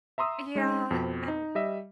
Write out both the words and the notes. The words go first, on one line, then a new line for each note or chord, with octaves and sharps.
Yeah, and,
E5 A#5 C6 D#6 E6
G#3 C#4 D#4
F2 B2 C4
D#4
G3 D#5 E5